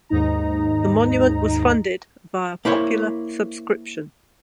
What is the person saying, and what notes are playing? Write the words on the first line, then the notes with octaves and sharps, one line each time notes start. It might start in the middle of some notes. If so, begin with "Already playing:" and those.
The monument was funded via popular subscription.
D#2 G#2 D#4 A#5
A#3 E4 C5 C#5